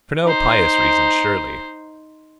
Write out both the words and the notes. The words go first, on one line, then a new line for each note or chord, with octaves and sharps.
For no pious reason, surely.
D#4 C5